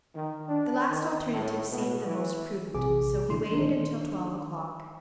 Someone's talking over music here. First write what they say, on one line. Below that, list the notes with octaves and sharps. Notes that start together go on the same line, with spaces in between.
The last alternative seemed the most prudent, so he waited until twelve o'clock.
D#3
D4
D#3
A2
B2
E3
A#1 C3 E3 G#4 D6
A#2 D3 E3 E4 C6
D#3 D4 D#4